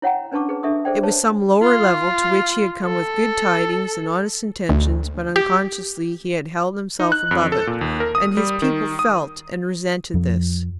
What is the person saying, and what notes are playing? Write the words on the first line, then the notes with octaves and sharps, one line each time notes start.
It was some lower level to which he had come with good tidings and honest intentions but, unconsciously, he had held himself above it, and his people felt and resented this.
E4 C#5 F#5 G5 A#5
C#4 D4 B4 A5 C#6 D6
G#4 B4
D4 A4 E5 C#6 D#6
G#4 A4 C5 D5 G5
B4 C#5 A5
F4
A4
D2
G4
D#4
F#6
F2
A4
A#2
D#2
A#4
D#6
G3
D#3
D#6
F2 F3